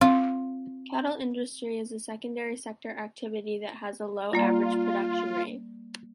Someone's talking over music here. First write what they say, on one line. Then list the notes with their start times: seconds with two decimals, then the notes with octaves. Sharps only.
Cattle industry is a secondary sector activity that has a low average production rate.
0.01 C4 F4
4.33 G3 A#3 F4 D5